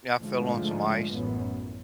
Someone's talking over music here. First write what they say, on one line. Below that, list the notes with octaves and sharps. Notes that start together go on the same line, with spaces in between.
I fell on some ice,
G#2 D3 F3 G#3 A3
A1 F#2 B3